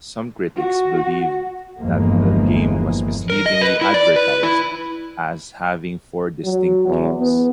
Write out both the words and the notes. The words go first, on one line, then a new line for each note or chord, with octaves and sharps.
Some critics believed that the game was misleadingly advertised as having four distinct games.
F#4
G1 E2 E3 F3 G#3 A#3
A#4
D#5
B4
E4
D5
B4
E4
F#3
E2
B3